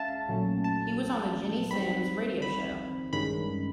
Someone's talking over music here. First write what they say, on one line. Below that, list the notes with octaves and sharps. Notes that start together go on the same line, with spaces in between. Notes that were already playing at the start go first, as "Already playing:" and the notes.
He was on the Ginny Simms radio show.
Already playing: G#3 C#4 E5 F5 A5
A#2 F#3 A3 C#4
A5
D#3 G3 C4 B5
B5
G2 D#3 G#3 C#4 B5